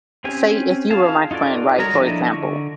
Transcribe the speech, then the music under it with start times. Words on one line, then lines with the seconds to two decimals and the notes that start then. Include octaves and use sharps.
say if you were my friend, right, for example,
0.24 C4 C#4 G4 G#5
0.90 F4 G#4 F5 A5
1.31 D#4 F4 F#4 A4 D5
1.79 G3 G#4 A#4 C#5 A#5
1.94 F3 D4 E4 A4 D#5
2.30 D3 C#6